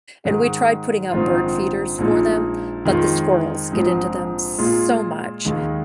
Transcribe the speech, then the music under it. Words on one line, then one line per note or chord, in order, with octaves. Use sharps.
and we tried putting out bird feeders for them, but the squirrels get into them so much,
G#2 D#3 G#3
A#1 G#2 D#3 C4 F4
A#1 A#2 G#3 D#4
F2 D#3 G#3 F4
A#1 G#2 F3 C4
A#2 G#3 F4
D#2 D#3 G#3